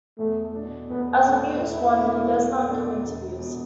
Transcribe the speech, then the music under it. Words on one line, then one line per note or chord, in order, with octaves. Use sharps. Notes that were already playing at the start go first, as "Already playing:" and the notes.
As a mute swan, he does not give interviews.
E2 A3
B2 A3 D4
E2 B3
B2 A3 C#4 D4
E2 E4
B2 A3 D4
E2
B2 A3 D4
E1
E2 B2 G#3